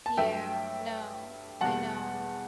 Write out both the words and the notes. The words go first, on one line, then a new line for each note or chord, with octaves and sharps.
Yeah. No. I know.
A5
G2 F#3 A3 E5 G5
E2 B2 G3 F#5 A5